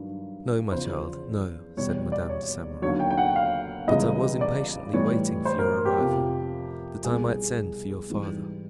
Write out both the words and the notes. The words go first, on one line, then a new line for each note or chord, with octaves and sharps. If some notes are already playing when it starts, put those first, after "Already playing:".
"No, my child, no," said Madame de Saint-Meran; "but I was impatiently waiting for your arrival, that I might send for your father."
Already playing: G2 D#3 F#3
E2 C#3 F3 C5
E2 B2 G3 C#5
D5
C#5
D#2 D3 F#3 C#5
G5
G5
F#5
F5
C#2 C#3 E3 G3 D#5
D5
A2 E3 G3 C#5
C5
A#4
G4
F2 C3 F3
C2 B2 G3 G#4
G#2 E3 G3